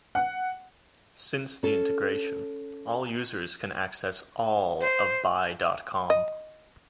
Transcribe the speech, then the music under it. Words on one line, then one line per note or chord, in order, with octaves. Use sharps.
Since the integration, all users can access all of buy dot com.
F#5
C#4 A4
C5
D#5